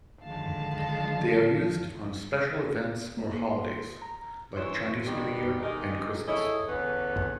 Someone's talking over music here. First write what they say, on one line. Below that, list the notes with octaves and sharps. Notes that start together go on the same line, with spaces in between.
They are used on special events or holidays, like Chinese New Year and Christmas.
D3 D#3 F3 G#3 F5 A5
A#3
C6
A#5
F#2 E3 C5 C#5
F2 G#2 D#3 G3 G4
D#3 G#3 G4 A#4 D#5
E4 G#4 A4 C#5 D#5
E2 D3 C#4 B4